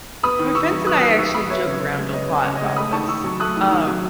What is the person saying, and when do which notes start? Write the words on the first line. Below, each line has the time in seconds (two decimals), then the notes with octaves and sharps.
my friends and I actually joke around a lot about this, um,
0.23 B3 B5 D#6
0.39 D#3
0.55 D#3 C#6 E6
0.71 F#3
0.87 B3 D#6 F#6
0.97 D#6 F#6
1.02 D#3
1.18 D#3 C#6 E6
1.34 F#3 B5 D#6
1.50 B3 C#5 E5
1.66 C#3
1.82 C#3
1.97 G#3
2.14 B3 D#5
2.29 C#3
2.45 C#3 C#5
2.56 D#5
2.61 G#3
2.66 D#5 F#5
2.76 A3 B5 D#6
2.92 D#3 A5 C#6
3.08 D#3 C#6 E6
3.24 F#3
3.40 A3 D#6 F#6
3.56 D#3
3.72 D#3
3.87 F#3